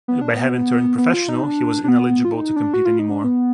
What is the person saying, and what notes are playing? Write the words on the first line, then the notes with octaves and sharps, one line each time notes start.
By having turned ‘professional’ he was ineligible to compete any more.
B3
D4
B3
B3
F4
D#4
D4
D4
B3
F4
D#4
D4
F#4
F4
D#4
D4
B3